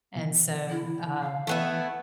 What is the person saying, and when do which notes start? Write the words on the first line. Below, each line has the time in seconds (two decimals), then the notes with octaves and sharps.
And so, uh,
0.16 B2 E3
0.70 E4
1.22 F5
1.47 E3 A3 B3 E4
1.67 F#5